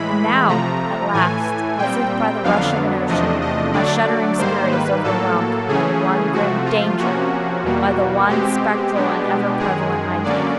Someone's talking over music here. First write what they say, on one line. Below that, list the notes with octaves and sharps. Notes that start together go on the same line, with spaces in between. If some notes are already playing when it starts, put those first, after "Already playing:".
And now, at last, as if by the rush of an ocean, my shuddering spirit is overwhelmed by the one grim Danger--by the one spectral and ever-prevalent idea.
Already playing: A2 E3 G#3 B5
C3 F3 A3 A#5
A2 E3 A3 G#5
A#2 G3 C4 G5
F2 D3 F#3 B3 D4 F5
E2 C3 F3 A3 D4 D#5
D#5
D3 F#3 A3 D4 D5
G#2 D#3 G3 A#3 C5
B4
A2 F#3 A#3 A4
C#3 E3 A3 C#4 G#4
C3 F3 A3 F#4
F4
C3 F3 A#3 C#4 F#4
E2 B2 G3 A#3
B2 G#3 C4 G4
B2 G#3 B3 D4
F#2 D#3 G#3 G#4
D3 F#3 A#3 C#4 D5